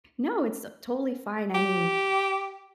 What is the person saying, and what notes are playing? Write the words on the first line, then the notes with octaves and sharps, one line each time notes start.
No, it's, uh, totally fine. I mean,
G4